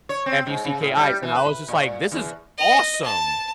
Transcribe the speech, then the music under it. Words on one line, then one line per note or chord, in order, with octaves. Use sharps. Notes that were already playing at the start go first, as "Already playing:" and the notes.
F U-C-K ICE, and I was just like, "This is awesome."
C#5
C4
G#2
C#3
A2
G3
E3
B4
A#2
E2
D#5
A5